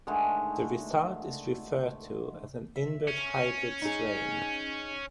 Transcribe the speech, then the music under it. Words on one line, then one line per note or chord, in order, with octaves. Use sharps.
The result is referred to as a inbred hybrid strain.
D3 D#3 G#3 A3
E5
C#4
D#4 G#4